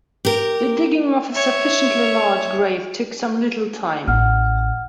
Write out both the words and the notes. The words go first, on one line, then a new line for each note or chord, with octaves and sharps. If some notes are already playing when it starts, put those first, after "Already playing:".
The digging of a sufficiently large grave took some little time.
G4 A#4
C#5 E5
A1 F#5 F6